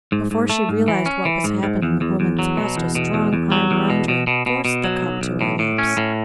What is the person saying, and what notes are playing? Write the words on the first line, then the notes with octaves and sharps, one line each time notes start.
Before she realised what was happening the woman thrust a strong arm round her and forced the cup to her lips.
G#2
G#2
A3
G#2
E3
C#4
E3
G#2
G#2
E2
E2
E2
F#3
B2
E2
B2
E2
E2
F#3
E2
B2
B2
B2
B2
B2
F#3
B1
B1
A2
A2
C#4
A2